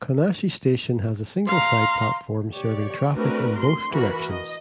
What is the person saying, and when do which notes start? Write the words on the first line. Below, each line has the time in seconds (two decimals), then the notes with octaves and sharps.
Konashi Station has a single side platform serving traffic in both directions.
1.47 F5 A#5 C6
2.52 G4 C#5 D5
3.14 A3 C4 D4 F#4 A#4 B4
3.59 C6
3.91 E3 F#4 A#4 B5
4.29 D#5